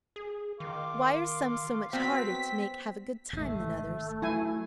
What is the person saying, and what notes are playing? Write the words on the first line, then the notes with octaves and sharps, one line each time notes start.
Why are some so much harder to make have a good time than others?
G#4
D#3 F5 C6 D6
F#3 B3 C4 B6
G#1 C3 D#3 A3
F#3 E4 G#5